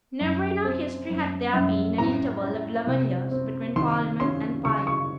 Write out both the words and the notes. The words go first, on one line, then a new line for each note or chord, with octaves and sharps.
Never in our history had there been an interval of eleven years between Parliament and Parliament.
F#2
C4
F#2
F#2
A2 A#5
C#4
C3
C4
D#3 C6
C#4 C6
C#3 C#6
C#6